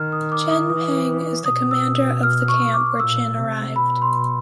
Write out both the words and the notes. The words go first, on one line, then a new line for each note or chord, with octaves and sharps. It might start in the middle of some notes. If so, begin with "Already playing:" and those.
Chin Peng is the commander of the camp where Chin arrived.
Already playing: D#3 F6
D#6
D6
D#6
E3 D#6
B2 D#6
E6
F6
C#6
D6
A#2 E6
C3
B2 B5
C6